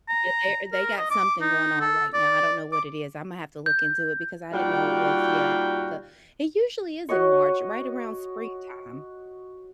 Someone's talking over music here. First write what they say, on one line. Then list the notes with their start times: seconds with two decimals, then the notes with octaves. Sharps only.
Yeah, there they got something going on right now. I don't know what it is. Imma have to look into it because I didn't know it was yet the it usually is in March, right around springtime.
0.09 A#5
0.73 A#4
0.98 D#5
1.11 D6
1.41 D#4
1.80 A4
2.14 D5
2.72 D6
3.66 G6
4.52 A#2 G3 D#4 F#4 F5 G5
7.09 F#4 C#5 D#5 C#6